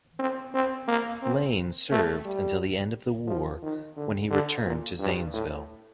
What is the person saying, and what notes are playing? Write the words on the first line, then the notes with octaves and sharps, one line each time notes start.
Lane served until the end of the war when he returned to Zanesville.
C4
C4
A#3
C4
A3
G3
F3
D#3
D3
D3
A#2
G2
A2